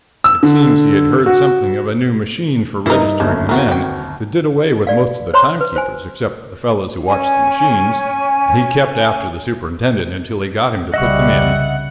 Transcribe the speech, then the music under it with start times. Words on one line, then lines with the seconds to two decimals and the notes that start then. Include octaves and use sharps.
It seems he had heard something of a new machine for registering the men, that did away with most of the timekeepers except the fellows who watched the machines, and he kept after the Superintendent until he got him to put them in.
0.24 E6
0.43 D3
1.26 F#4
2.86 G2 D#4 E4 A#4
3.20 G1 D#2 A3
3.49 E3 B3 C4 F#4 A#4
3.69 C4 G5
4.87 D5 F5
5.34 C5 C#5 A#5 C6
5.61 B4
5.76 C5 G#5
7.07 C#4 G#5
10.94 C2 C#3 G3 D#5 E5 F#5 C#6